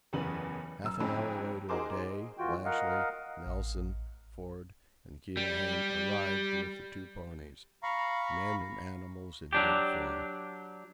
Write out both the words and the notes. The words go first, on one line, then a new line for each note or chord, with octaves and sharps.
Half an hour later Day, Lashly, Nelson, Forde, and Keohane arrived with the two ponies--men and animals in good form.
F#1 E2 C#3 C#4 B4 F#7
F#2 E6
F2 G#2 C4 C#4 A5 B5
D#4 F#4 G#4 A#4 C5 D6
F2 E3 F4 F#4 G5
A#4 D#5 F5 F#5
A1
G3
F5 A#5 B5 C#6
F#3 D4 G4